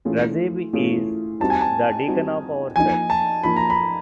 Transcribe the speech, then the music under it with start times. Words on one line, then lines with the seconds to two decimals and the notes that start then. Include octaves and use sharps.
Rajib is the deacon of our church.
0.05 E3 A3 C#4 F4 G#4
0.73 E3 A3 C#4 F4 G#4
1.40 G3 C4 D#4 F#4 A5
1.50 G#5
1.61 A5
2.08 G3 C4 D#4 F#4
2.76 F3 A#3 D#4 G#5
3.10 A5
3.44 F3 A#3 D#4 B5
3.56 A#5
3.70 B5